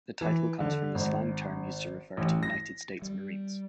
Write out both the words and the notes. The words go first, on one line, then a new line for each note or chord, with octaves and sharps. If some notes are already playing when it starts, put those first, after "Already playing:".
The title comes from the slang term used to refer to United States Marines.
E3
D3
G#1
A1
A#6
G3